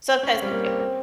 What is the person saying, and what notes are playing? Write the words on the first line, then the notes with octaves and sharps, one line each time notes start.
Sometimes they do.
C#4
C4
G3
A#3
C4
C4